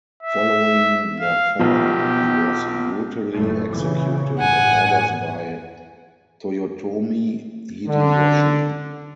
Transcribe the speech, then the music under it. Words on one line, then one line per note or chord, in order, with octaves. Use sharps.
Following their fall, he was brutally executed on orders by Toyotomi Hideyoshi.
E5
F5
B1 B2 F3 G4
F#1 A2 A3
A#2 C#3 E3
A1 G2 F#5 G#5
D3